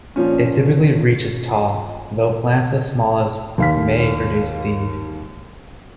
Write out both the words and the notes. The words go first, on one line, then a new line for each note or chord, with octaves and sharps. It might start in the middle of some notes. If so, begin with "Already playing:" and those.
It typically reaches tall, though plants as small as may produce seed.
A#2 F3 C#4
D#2 F5 B6